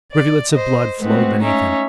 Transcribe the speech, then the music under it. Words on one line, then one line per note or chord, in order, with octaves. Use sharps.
Rivulets of blood flowed beneath him.
D5
C5 D#5
G#3 A3 B3 C4 F#4
C#4 D#4 E5